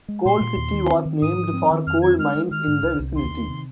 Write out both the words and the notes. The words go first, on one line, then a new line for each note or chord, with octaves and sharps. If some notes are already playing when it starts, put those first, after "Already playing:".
Coal City was named for coal mines in the vicinity.
G#3
A#2 C6
A#2
D#2
D#3
C4
D#3
G#2 D#6
F3
C4
D#3
F2 F6
C4 G#6
G#3 F6
G#3
D#3 F6
G#2
C2
C2
D#2 C6
D#3
C3